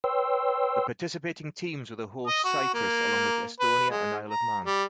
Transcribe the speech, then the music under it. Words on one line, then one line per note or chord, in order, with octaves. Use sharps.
The participating teams were the hosts Cyprus along with Estonia and Isle of Man.
B4 C#5 G5 C6 E6
D#5
F#4
A#3
B4
G#3
A#5
G3